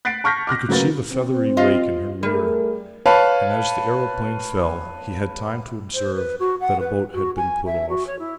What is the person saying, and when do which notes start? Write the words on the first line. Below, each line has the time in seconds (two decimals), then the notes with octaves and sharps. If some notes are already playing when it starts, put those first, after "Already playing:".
He could see the feathery wake in her rear, and as the aeroplane fell he had time to observe that a boat had been put off.
0.05 F#6 A6 B6 C7 D7
0.24 A5 C#6 F6 G6 A#6 B6
0.47 D6 F6 F#6 A#6
0.69 C#3 F#3 A#3 B4 A6
1.12 C4
1.57 F4 D#5 F5
2.23 G3 A3 G#4 A#4
3.06 B4 C#5 F5 A5 B5
5.94 C5
6.15 B4
6.39 F#4
6.60 F#5
6.80 B4
7.13 F#4
7.36 G#5
7.65 E5
7.89 F#4
8.06 C#5
8.19 E4